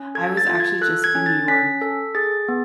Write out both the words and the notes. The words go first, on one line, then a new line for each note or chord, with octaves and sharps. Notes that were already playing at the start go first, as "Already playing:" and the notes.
I was actually just in New York,
Already playing: C#4
A4 G#6
A6
F4
G#6
A4 F#6
G#6
C#4
A6
C#4 B6
A4
G#4 A6
B3